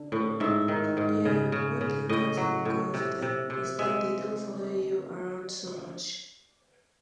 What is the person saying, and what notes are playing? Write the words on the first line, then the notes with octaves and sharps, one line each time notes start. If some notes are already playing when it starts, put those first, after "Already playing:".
Yeah, one thing cats have going for them is that they don't follow you around so much.
Already playing: D3
A2
G#2 E5
D#3
G#2
C#3
C#3
C#3
A2 D#5
F#3
A2
C3
C3
C3
G#3 E5